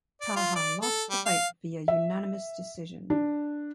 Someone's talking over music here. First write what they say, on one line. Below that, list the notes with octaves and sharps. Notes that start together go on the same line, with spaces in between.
Taha lost the fight via unanimous decision.
D5
F4
D5
A4
G3
F5
E5
D4